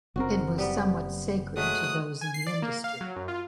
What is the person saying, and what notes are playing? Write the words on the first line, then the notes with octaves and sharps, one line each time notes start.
It was somewhat sacred to those in the industry.
F#1 A2 C4 F#4 A#4
G3 B3
F#3 G#3 A3 D#6 F#6
G#5
C7
D5
A#3
F5
F#3
F#2
F4